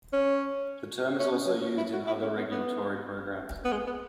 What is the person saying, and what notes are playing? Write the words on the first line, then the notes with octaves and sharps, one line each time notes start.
The term is also used in other regulatory programs.
C#4
C#4
B3
F#3
C#4
E4
F#4
E4
C#4
B3
B3
B3
G#3
B3